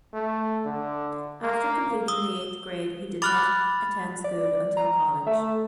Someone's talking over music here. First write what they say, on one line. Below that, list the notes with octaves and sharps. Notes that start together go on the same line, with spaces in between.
After completing the eighth grade, he did not attend school until college.
A3
D3
A#3
D#6 E6 G7
B5 D6 F6 F#6 A6 F7
D5
A#5
A3 E5